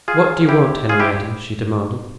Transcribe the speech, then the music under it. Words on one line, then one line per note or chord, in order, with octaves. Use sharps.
"What do you want, Henrietta?" she demanded.
F4 G#4
E4 G4
F4 G#4
E4 G4